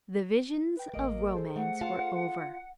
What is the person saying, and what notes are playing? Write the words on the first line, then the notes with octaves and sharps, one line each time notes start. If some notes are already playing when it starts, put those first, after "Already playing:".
The visions of romance were over.
B4 G5
A1 A#3 D#5 D7
G#4 A4 C5
A3 F#5
F4 F5 A5